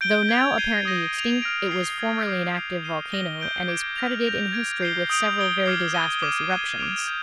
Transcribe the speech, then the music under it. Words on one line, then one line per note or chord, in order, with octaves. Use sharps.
Though now apparently extinct, it was formerly an active volcano, and is credited in history with several very disastrous eruptions.
G6 D7 G7
G#6 D7 F7
G#6 C7 D#7 G7
D#6 A#6 D#7
G#6 D7 F7
F6 A#6 D7
G#6 C7 G7
D#6 G#6 C7
D6 G6 C7 F7
G#6 C7 F7
F6 C7 D#7 G7
F6 A#6 D#7 G7
G6 D7 G7
D6 G#6 D7 G7
F6 A#6 F7
G6 A#6 F7
G#6 D7 F7
G6 C7 G7
D#6 G6 D7 F7
D#6 G#6 D7 G7
D6 F6 G#6 C7
G#6 D#7 G7
D6 F6 G#6 D#7 G7
G#6 D#7 G7
D6 G#6 D7 F7
G6